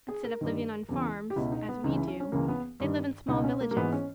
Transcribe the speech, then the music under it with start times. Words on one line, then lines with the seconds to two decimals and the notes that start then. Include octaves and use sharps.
Instead of living on farms as we do they live in small villages.
0.08 G#4
0.24 A#4
0.41 G2 D#3
0.89 E2 C#3 E3
1.30 G4
1.36 C#2 B2 E4
1.52 D#4
1.69 B3
1.84 C#2 C#3 E3 D#4
1.96 E4
2.08 C#4
2.20 C#4
2.32 C#2 C#3 E3 A#3
2.48 B3
2.80 G2 D#3
3.28 C#2 B2 D#4
3.44 C#4
3.60 A#3
3.71 A#3
3.76 G#2 E3 B3
3.92 C#4